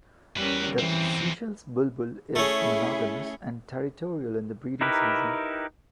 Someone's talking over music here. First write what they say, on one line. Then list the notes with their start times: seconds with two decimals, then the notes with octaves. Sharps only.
The Seychelles bulbul is monogamous and territorial in the breeding season.
0.37 E2 G3 C#4 A#4 B4
0.78 E2 E3 C4
2.35 A3 C#4 E4 G#4
4.81 D#4 E4 G4 A#4 B4